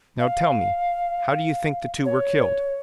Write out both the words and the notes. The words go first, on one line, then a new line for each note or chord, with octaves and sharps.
"Now, tell me, how do you think the two were killed?"
F5
C#5